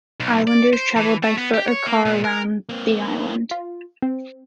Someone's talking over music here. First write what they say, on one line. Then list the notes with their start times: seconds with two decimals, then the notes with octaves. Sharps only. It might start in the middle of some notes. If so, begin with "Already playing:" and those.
Islanders travel by foot or car around the island.
0.20 B1
0.47 D5
0.73 C5
0.97 E3
1.23 A3
1.38 B3
1.54 G4
1.68 C#5
1.86 A#3
2.05 A#2
2.24 A#4
2.69 A#3 C4
3.51 F4
4.02 C4